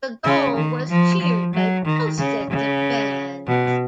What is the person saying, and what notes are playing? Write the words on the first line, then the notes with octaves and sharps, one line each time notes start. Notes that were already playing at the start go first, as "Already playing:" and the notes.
The goal was cheered by both sets of fans.
C#3
D#3
F3
F3
F#3
D#3
C#3
C#3
B2